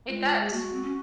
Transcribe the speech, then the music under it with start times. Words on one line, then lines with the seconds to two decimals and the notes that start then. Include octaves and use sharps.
It does.
0.08 G#3 F4
0.19 F4
0.40 G#4
0.52 A#3 F#4
0.62 G#3
0.72 C4
0.83 C#4